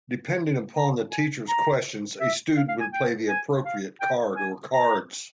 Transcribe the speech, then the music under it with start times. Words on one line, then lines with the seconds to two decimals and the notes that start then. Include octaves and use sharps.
Depending upon the teacher's questions a student would play the appropriate card or cards.
0.76 A#5
1.12 G#5
1.48 A#5
2.20 E5
2.57 F5
2.68 F5
2.80 G#5
2.93 G5
3.29 G#5
3.65 F5
4.01 G5
4.37 G#5
4.73 A#5